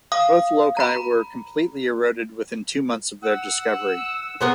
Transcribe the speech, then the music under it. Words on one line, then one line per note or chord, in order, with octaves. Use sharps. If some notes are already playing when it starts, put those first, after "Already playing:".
Both loci were completely eroded within two months of their discovery.
F5 D#6
A#5 B5
F#5 E6
G#3 B3 A#4